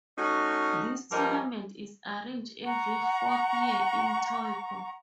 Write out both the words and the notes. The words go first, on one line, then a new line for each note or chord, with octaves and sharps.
This tournament is arranged every fourth year in Tokyo.
A3 C#4 D#4 F#4
G2 F3 G3 A#3 A#4 D#5
F#5 A#5 C#6